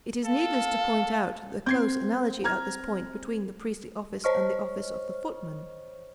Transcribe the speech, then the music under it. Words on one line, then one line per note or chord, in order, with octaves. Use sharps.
It is needless to point out the close analogy at this point between the priestly office and the office of the footman.
A4 F5
C4 G6 G#6 C7
A#5 F6 G#6
C5 C#5 D#5 C#6 F6